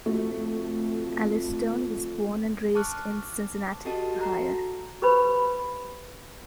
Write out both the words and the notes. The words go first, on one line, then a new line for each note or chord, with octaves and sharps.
Alice Stone was born and raised in Cincinnati, Ohio.
F2 A3 F#4
A5 C#6 D6 F6 F#6
F#4 G4 A4 D#5 A5
F#4 A#5
G4 B4 C5 B5